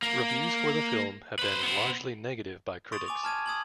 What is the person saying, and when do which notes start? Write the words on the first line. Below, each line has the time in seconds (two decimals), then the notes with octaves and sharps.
Reviews for the film have been largely negative by critics.
0.03 A#3
1.39 B4 C5
1.63 B3 C5
2.92 C6 C#6 D#6 A6 D7 F7
3.06 G#5 D6 F7
3.23 A5 F6 G#6 D#7
3.46 D#6 G#6 F#7